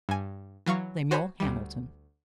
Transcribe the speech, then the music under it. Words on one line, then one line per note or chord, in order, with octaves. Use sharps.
Lemuel Hamilton.
G2 G#5
E3 F#3 F5 C#6
F#4 C5 C#5 G#5 B5
D2 G3